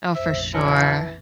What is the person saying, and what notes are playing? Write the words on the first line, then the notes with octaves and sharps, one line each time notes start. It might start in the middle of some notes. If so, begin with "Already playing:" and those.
Oh, for sure.
F1 A#1 C5 E5
E3 F#3 C#4 E4 A5